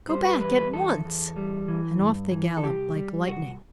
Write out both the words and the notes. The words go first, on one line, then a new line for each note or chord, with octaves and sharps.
Go back at once!' and off they galloped like lightning.
G3 C5
B4
E2 B4
B4
E2 A4
E2
G3
E3
G2
E3
A4
C2 G4
G3
C2 F#4